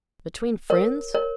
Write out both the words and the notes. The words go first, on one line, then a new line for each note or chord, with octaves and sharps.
Between friends?
A#4 C#5
A#4 C#5